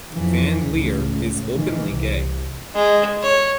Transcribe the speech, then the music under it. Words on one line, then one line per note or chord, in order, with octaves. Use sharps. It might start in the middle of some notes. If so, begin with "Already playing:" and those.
Van Leer is openly gay.
F2 E3
C#2 A2
D#3 E3
C2
G#3
C#5